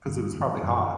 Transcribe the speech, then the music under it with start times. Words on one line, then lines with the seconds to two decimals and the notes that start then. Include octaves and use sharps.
'Cause it was probably hot.
0.06 G#1 D2 G2
0.39 G#2 D#3 E3
0.62 F#2